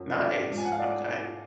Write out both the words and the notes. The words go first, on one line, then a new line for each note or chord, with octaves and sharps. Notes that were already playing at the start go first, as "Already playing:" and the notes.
Nice, okay.
Already playing: F#2 F3
D5
G#2 F3
G#5
F#5
F5
D5